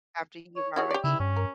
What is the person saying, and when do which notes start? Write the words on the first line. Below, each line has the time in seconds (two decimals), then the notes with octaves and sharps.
After you've already
0.57 C#5
0.76 E4 F#4 G#4 C#5
0.91 G4 D5
1.04 C#3 E4
1.20 G2 C#4
1.36 A#4